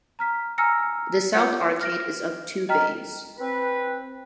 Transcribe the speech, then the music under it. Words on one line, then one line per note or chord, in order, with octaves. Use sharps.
The south arcade is of two bays.
A#5 F6 B6
G#5 A#5 E6 F6 A#6 C#7
F4 A#4 C#5 F#5 G6 C#7
F6 A#6 D7
D#5 G5 A#5 F6 B6
C4 B4